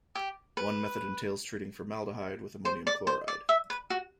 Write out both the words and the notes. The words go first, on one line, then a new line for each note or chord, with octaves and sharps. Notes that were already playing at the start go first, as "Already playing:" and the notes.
One method entails treating formaldehyde with ammonium chloride.
G4
B4
C5
D5
C5
D5
E5
B4
F#4